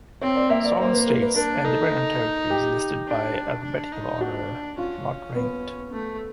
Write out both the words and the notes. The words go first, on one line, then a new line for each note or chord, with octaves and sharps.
Sovereign states and dependent territories listed by alphabetical order, not ranked.
C4 C#5
D5
A#3 E5
D5
A#3 C5
B4
A#4
B4
D4 A#4
D#4 A4
G4
D4
D4
D#4
D4 F#4
C#4 F4
B3
A3